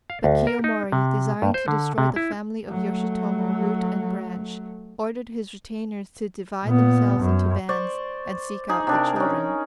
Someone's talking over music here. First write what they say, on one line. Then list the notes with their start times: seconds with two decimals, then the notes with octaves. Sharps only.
But Kiyomori, desiring to destroy the family of Yoshitomo root and branch, ordered his retainers to divide themselves into bands, and seek out the children.
0.10 F5
0.24 D2
0.47 A#4
0.64 D#4
0.92 C3
1.42 G2
1.54 C5
1.68 D3
1.98 C3
2.16 E4
2.68 F#3 A3
6.64 A#2 B3
7.18 F#2
7.69 C5 D5 C6 C#6
8.69 D#4 G#4
8.87 C3 D4 A#4
9.16 C#4 D#4